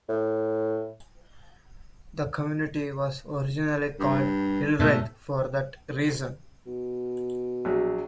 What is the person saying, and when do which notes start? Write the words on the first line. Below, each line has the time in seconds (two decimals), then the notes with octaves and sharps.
The community was originally called Hildreth for that reason.
0.09 A2
4.00 G2
4.79 G#2 B2 A3
6.66 B2
7.65 A#1 F#3